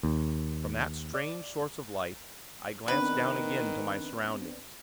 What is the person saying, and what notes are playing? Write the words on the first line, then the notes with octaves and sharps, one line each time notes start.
From that strange source of light, I glanced down again to my surroundings.
D#2
D5
D#3 B3 C4 D4 B4